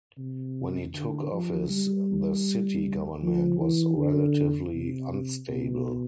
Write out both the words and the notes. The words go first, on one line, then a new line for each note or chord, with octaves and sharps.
When he took office, the city government was relatively unstable.
C3
D3
F3
G3
F3
E3
D3
C3
B2